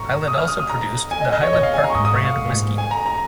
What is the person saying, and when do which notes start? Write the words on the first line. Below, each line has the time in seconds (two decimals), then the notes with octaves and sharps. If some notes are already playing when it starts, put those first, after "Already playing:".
Highland also produced the Highland Park brand whisky.
Already playing: G#2 A#5 C#6
0.28 D#6
0.38 F6
0.48 D#6
0.60 D#6
0.69 A#5
1.11 G#5
1.21 D#5
1.32 D#5
1.43 C#5
1.53 A#2 D#5
1.63 F5
1.74 G#5
1.84 A#5
1.90 C#6
1.95 G#2 D#6
2.05 D#6
2.16 C#6
2.25 F5
2.37 G#2
2.45 A#2
2.53 G#2
2.78 G#5
2.91 A#5
3.06 A#5